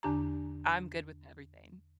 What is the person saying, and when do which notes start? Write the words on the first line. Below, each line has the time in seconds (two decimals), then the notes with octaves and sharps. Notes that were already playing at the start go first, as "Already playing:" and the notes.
I'm good with everything.
0.03 E2 D3 D4 G4 A5 A#5